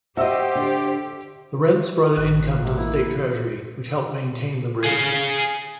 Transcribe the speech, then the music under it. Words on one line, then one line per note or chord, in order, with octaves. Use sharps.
The rents brought an income to the State Treasury, which helped maintain the bridge.
F#4 G4 C5 D#5 E5 E6
D3
A1 F#6
A1 G#2 C3
E3 A#3 E4
G#4 F5